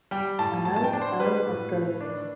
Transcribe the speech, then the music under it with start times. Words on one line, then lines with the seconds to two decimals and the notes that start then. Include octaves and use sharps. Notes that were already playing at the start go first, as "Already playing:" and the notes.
Arnault died at Goderville.
0.11 G3 G5
0.39 A2 A5
0.65 A2 A5
0.76 A5
0.84 G5
0.93 D4
1.02 C5
1.20 G3 B4
1.47 A2
1.73 A2
2.01 D4